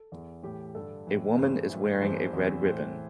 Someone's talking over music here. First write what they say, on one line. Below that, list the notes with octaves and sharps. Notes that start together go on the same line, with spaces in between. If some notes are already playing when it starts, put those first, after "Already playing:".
A woman is wearing a red ribbon.
Already playing: A4
E2 E3
A2 E3 G4
G2 D3 A4
A2 E3
G2 E3 C5
A2 E3
G2 E3 C5
E2 C3 E3
A2 E3 C5